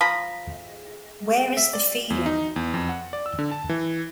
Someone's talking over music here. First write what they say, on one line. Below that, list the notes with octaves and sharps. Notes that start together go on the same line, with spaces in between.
Where Is the Feeling?
F3 A#5 B5
E5
D5
E2
D#4
E2
F2
F#5
D5
E6
D3
A5
E3